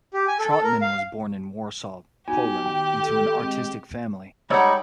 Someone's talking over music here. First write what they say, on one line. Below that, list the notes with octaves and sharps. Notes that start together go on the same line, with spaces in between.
Trautman was born in Warsaw, Poland into an artistic family.
G4
G#5
A4
A4
A#4
F5
B3 D#4 F#4 G4 G#5
D#3 G5
A4
G#3 C4
G3 G#3 D#4 C#5 D5 F#5 E6